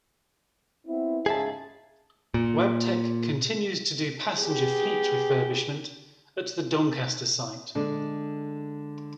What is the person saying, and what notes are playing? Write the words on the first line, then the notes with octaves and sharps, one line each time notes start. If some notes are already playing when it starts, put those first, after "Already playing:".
Wabtec continues to do passenger fleet refurbishment at the Doncaster site.
B3 C4 E4
G#2 C#3 G#4 E5 A5
A#2
B3 G4 G#4
D3 G#3